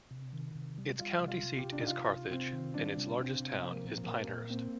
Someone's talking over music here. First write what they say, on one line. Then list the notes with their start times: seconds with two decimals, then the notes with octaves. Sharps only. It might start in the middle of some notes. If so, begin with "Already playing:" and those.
Its county seat is Carthage and its largest town is Pinehurst.
0.11 C3
0.33 D#3
0.55 C3
0.78 G3
0.99 G3 F4
1.20 C3
1.28 F4
1.43 C3
1.58 G4
1.65 C3
1.72 D4
1.80 D#4
1.87 C3 F4
2.08 C3
2.31 C3 C4
2.53 D#3
2.74 G3 D4
2.97 C3
3.19 C3 C4
3.40 C3
3.62 F3 C4
3.71 A#3
3.84 A#2 A#3
4.06 A#2 A#3
4.28 A#2
4.50 A#3 C4